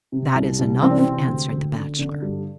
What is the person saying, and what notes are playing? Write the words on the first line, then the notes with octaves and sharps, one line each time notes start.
"That is enough," answered the Bachelor.
C3
C2
C2
E3 C4
D4
C4
C3
D2
D2
D3
D3
G2